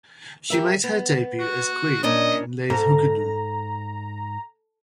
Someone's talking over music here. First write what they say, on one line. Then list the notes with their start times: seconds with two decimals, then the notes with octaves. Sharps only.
She made her debut as queen in "Les Huguenots".
0.50 G4 A#4 E5
0.84 B3
1.39 F#4
2.03 A#2 C#4 D4 D#5
2.70 G#2 A4 A#5